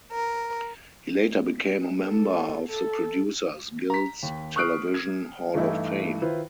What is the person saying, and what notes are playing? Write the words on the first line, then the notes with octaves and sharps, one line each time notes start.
He later became a member of the Producers Guild's Television Hall of Fame.
A#4
A4
A4
A#5 B6
D#2
C#6 D#6 F6 F#6 C7 D7
G#6
G2 E3 A3 D#4 E4
D#3 E4 F4 B4 C5